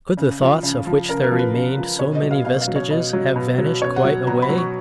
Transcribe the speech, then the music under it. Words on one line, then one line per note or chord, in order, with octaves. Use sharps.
Could the thoughts, of which there remained so many vestiges, have vanished quite away?
C#3
F3
C#3
F3
C#3 A#4
A#4
F3
B4
C#3
F3
B2 C#5
D#5
F#3
F5
B2 F5
F5
F#3
C#5
B2 D#5
F#3
B2
F#3
B2 C#5
F#5
F#3
B2 A#5
B5
F#3
C#6